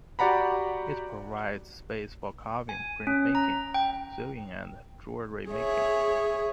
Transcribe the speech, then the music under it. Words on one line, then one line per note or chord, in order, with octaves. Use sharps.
It provides space for carving, print making, sewing and jewellery making.
F#4 G4 D5 F#5 A#5 B5
G#5
C#4
A#5
G5
G#4 C#5 E5